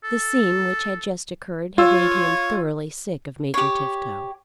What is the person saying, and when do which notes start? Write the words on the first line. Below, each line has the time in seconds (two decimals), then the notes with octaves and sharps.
The scene which had just occurred had made him thoroughly sick of Major Tifto.
0.04 A4
1.78 F4 C#5 E6
3.54 G4 C#5